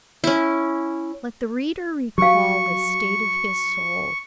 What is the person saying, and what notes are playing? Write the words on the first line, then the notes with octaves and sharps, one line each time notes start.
Let the reader recall the state of his soul.
C#4 E4
F#3 G4 F5 C#6